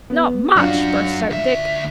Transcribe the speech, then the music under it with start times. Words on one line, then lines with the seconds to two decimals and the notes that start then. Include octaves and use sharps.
"Not much!" burst out Dick.
0.10 B3
0.56 F#2 D4 F4 F#4
1.30 D2 E5